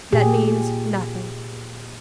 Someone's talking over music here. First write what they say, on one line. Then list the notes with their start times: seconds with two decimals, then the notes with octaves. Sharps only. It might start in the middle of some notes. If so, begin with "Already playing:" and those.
That means nothing.
0.13 A#2 G4 G#4